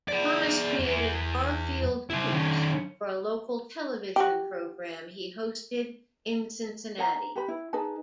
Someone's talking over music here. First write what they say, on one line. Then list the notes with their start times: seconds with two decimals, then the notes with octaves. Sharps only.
Thomas created Garfield Goose for a local television program he hosted in Cincinnati.
0.09 G#4 D5
0.80 E2
2.10 E4 C5
2.33 D#3 C#4
4.16 F#4 G4
6.98 C#5 F#5 A#5
7.16 A#5
7.36 G4 B4 B5
7.48 E4
7.73 D#4 G#4 B4 A5